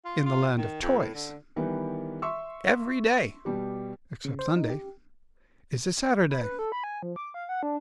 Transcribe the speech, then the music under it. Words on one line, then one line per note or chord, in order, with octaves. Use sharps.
In the Land of Toys, every day, except Sunday, is a Saturday.
F4
F4
D#3
F2
A2
D3
D#3 E3 G3 B3 A#4
E5 C6 C#6 E6
B2 G3 G4
C#3
C5
D#4
G4
B5
B4
A4
B5
G#5
F3
D6
F5
F#5
D4